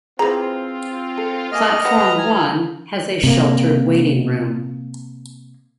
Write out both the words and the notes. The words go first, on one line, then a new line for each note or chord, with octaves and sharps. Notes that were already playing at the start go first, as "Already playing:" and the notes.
Platform One has a sheltered waiting room.
E3 C4 F4 G#4 C5 A#5 B5
A4
A#3 D#5 F5 G#5 F6
G3 B4 F#5 A#5
G#5
C3 A#3